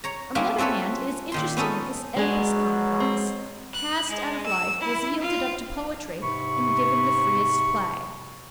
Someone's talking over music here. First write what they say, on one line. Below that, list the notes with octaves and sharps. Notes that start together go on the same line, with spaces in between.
On the other hand, it is interesting that this Oedipus-complex, cast out of life, was yielded up to poetry and given the freest play.
C#5 A#5
G3 A#3 B3 C#4 E4 F4
C4 C#4 A4 B4 C#5
A#2 D#3 C6
B3 C#4 D#4 A4
B2 F#3 G#3 D4 G#4
C4
F#6
G#3
E6
E4
F4
G#2 C3 B5 C#6